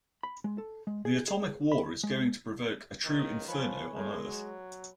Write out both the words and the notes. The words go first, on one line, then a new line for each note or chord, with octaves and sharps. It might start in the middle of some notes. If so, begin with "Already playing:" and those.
The atomic war is going to provoke a true inferno on Earth.
B5
G#3
A4
G#3
G#4
G#4
B5
G#3
C#2 D#3
F3 B4 C#5 G#5
A2 G#3
F#3